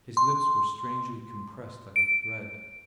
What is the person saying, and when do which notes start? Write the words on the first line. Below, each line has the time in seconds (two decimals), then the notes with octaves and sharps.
His lips were strangely compressed like a thread.
0.17 C6
1.96 D7